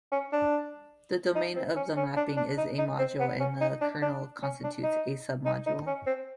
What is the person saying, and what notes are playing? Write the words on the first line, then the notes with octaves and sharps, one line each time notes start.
The domain of the mapping is a module, and the kernel constitutes a "submodule".
C#4
D4
D#4
C4
C#4
C#4
D4
D4
D#4
D#4
C4
B3
C#4
D#4
D4
D4
C#4
D4
D#4
D#4
D#4
C#4
C4